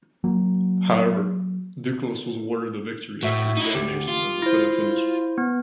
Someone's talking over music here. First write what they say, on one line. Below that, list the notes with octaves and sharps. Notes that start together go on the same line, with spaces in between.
However, Duclos was awarded the victory after examination of the photo finish.
F#3 A#3
A2 F#4 E5
D#4 E4
D2 G4
F4
E4 C5
B3